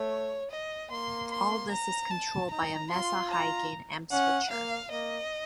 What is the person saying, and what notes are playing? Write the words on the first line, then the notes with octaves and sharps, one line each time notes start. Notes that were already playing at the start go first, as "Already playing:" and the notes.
All this is controlled by a Mesa high gain amp switcher.
Already playing: A3 C#5
D#5
A#3 C6
C6
A#5
A5
D#4 A#5
F4 C6
A#5
C#4 F#5
A#3 F5
A#3 D#5